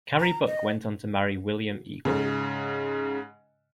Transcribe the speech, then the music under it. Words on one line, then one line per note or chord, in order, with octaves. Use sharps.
Carrie Buck went on to marry William Eagle.
A#5
D#5
G#2 C#3